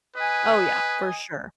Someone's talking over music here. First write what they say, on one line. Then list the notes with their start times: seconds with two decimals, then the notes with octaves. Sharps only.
Oh, yeah, for sure.
0.16 B4 D#5 G#5